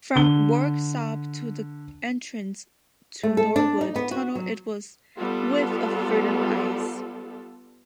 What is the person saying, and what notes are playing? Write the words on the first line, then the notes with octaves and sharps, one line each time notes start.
From Worksop to the entrance to Norwood Tunnel it was with a further rise.
D3 G7
A3
A4
D4
D#4
B3
F#4
F#3
G3 B3 F4 A4